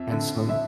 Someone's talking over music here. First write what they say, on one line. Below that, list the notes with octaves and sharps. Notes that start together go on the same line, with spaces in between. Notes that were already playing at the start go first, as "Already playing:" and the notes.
And son.
Already playing: F2 E5
D3
E5